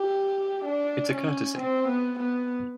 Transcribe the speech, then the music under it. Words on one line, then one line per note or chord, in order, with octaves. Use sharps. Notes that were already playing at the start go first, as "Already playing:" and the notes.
It's a courtesy.
Already playing: G4
D4
C#4
C4
B3
B3